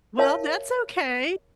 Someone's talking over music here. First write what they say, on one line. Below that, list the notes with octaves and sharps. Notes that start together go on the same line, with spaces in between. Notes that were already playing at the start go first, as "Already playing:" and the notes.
Well, that's okay.
A#4 C#5 E5 F5 A5